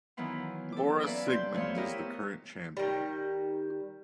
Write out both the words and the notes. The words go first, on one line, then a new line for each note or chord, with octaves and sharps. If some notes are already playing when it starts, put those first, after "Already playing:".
Laura Siegemund is the current champion.
D#3 E3 F#3 B3 E4 F4
A4 D6
A#3 C#4 B4 D5 E5
C3 C6 G6
D#2 A3 B3 C5 C#5 F5
E4 G4 A#4 D#5 E5
D#3 G3